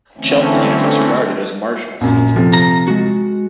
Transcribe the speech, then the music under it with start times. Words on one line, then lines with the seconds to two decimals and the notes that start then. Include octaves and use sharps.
Cheltenham was regarded as a marginal seat.
0.18 D3 E3 A3 C4 C#4
2.01 A#1 F#2
2.36 C3 F3 A3
2.53 A#5
2.88 G#3 F#4